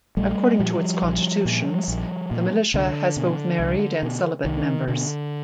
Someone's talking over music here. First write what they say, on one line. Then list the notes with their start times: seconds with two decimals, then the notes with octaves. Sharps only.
According to its constitutions, the Militia has both married and celibate members.
0.17 A#1 G3 A3
0.59 A#2 F3 G3
1.03 A#1
1.45 A#2
1.88 A#1
2.31 A#2
2.74 C2 D3
3.17 B2
3.59 C2
4.03 B2
4.45 C2 D#3
4.88 B2 D3